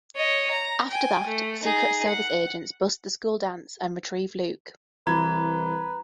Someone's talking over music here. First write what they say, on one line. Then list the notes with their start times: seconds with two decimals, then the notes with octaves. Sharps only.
After that, Secret Service agents bust the school dance and retrieve Luke.
0.16 C#5 D#5
0.51 A#5
0.90 G5 G#5
1.27 A3
1.64 D#4 G#4
2.08 F#5
5.07 C2 E3 B4 A#5 B5 G#6